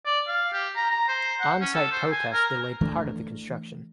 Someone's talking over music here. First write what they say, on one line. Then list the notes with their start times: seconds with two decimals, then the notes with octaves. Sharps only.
On-site protests delayed part of the construction.
0.06 D5
0.28 F5
0.53 G4
0.76 A#5
0.91 A#5
1.08 C5
1.41 F#5
1.61 C#4
1.74 A4
1.92 C5
2.12 G#5
2.33 A#4
2.81 E3 A3 D4